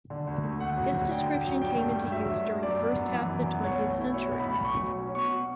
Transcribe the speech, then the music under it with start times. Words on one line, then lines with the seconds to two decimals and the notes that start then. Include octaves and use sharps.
This description came into use during the first half of the twentieth century.
0.10 D3
0.27 D2
0.43 A3
0.60 D2 F#5
0.77 F#3
0.94 D2
1.11 D3 G5
1.28 D2
1.45 F#3
1.61 G2 G5
1.78 A3
1.95 G2
2.12 F#3 E5
2.29 G2
2.46 A3
2.63 F#2 D5
2.79 B3
2.96 F#2
3.13 E3
3.30 F#2
3.46 B3
3.64 B1 C#5
3.80 A3
3.98 E4
4.14 B2 C#5
4.31 B1
4.39 B5
4.48 A3
4.65 B1 C#6
4.82 F#3
4.99 C#4
5.15 B2 C#6